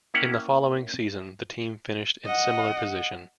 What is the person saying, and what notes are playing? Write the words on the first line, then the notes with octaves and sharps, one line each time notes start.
In the following season, the team finished in similar position.
A#3 C#4 E4 C#5 F#5 G5
D#5 F#5